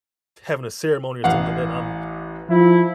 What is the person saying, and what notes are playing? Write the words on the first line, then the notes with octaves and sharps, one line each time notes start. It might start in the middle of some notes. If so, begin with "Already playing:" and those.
t having a ceremony or something like that, I'm
A1 F5 F#5
F3 E4